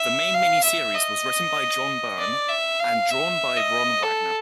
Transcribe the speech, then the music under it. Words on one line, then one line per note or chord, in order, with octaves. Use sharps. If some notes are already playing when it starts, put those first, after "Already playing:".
The main mini-series was written by John Byrne and drawn by Ron Wagner.
Already playing: E5
F5
E5
D#5
D5
E5
F5
E5
D#5
A4